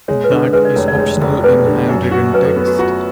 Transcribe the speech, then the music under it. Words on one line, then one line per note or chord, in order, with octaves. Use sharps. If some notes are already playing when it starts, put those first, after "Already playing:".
That is optional in handwritten text.
G#3 C#5
B4
D3
A4
G#3 B4
D5
F1 C#5
D5
G#3 C#5
F1
F1 B4
D3
F#2
F#4
F#2 B4
A4
B3
F#4
F4 F#4